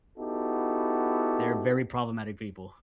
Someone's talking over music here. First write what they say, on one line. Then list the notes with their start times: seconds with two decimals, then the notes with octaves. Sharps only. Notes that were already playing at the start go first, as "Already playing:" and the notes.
They're very problematic people.
0.19 B3 D#4 E4 F#4 G4 A4